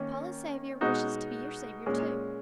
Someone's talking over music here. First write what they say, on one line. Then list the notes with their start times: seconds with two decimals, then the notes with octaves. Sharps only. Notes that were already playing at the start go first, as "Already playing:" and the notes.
Paula's Saviour wishes to be your Saviour too.
Already playing: D#3 A#3 C#4
0.81 B2 G#3 D#4 F#4
1.86 A#2 G#3 C#4